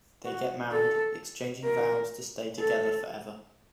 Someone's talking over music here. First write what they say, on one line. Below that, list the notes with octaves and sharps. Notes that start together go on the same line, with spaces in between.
They get married, exchanging vows to stay together forever.
F#4
A4
A#4
A4